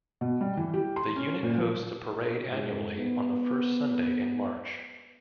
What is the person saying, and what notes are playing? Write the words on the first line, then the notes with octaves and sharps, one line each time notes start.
The unit hosts a parade annually on the first Sunday in March.
B2
G3
E3
G4
C6
C#4
A#2
F3
G#2
B3